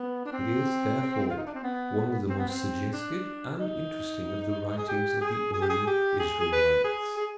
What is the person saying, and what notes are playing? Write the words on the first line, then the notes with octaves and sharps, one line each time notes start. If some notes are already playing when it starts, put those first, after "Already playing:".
It is, therefore, one of the most suggestive and interesting of the writings of the early Israelites.
Already playing: B3
D4
C4
F4
D#4
D4
C4
B3
C4
B3
C4
D4
D#4
G#4
G4
G#4
G#4
G4
G#4
G4
G#4
G#4
B4
G#4
G#4